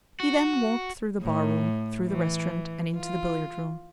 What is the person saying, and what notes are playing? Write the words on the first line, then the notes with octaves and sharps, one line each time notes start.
He then walked through the barroom, through the restaurant, and into the billiard room.
F#4
A2
E3
F4